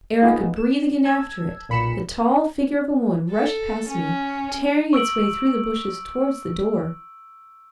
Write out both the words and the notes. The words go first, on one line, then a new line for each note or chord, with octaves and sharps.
Ere I could breathe again after it, the tall figure of a woman rushed past me, tearing its way through the bushes towards the door.
A3 B3 D#4 F4 G#4
E7
A5 E6 G#6
B1 A#2 B5 C#7 E7
A4
C#4
C#6 E6 D7 F#7